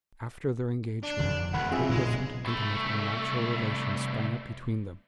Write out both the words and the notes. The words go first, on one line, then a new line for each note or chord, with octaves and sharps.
After their engagement, quite different, intimate, and natural relations sprang up between them.
D4
F2 D3
E1 E3 F#3 F#5 B5 F#6
F2 C3 C4 F4 G#4 E5
B1 A#2 C#3 G#3 B3
C2 A3